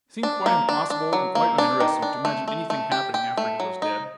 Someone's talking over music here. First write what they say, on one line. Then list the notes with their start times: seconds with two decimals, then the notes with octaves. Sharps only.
It seemed quite impossible and quite uninteresting to imagine anything happening after he was dead.
0.23 D4
0.46 A#3
0.69 D4
0.90 D4
1.13 F#3
1.35 A#3
1.58 D4
1.80 D#3
2.02 D4
2.25 A3
2.48 A3
2.70 A3
2.92 G4
3.14 G4
3.37 A3
3.60 F#3
3.82 D#4